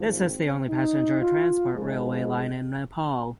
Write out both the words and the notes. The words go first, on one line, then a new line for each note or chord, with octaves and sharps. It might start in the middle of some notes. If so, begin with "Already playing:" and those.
This is the only passenger transport railway line in Nepal.
Already playing: G#1 G#2 F3
C4
D#4
F4
A#1 G#2 F3 G#3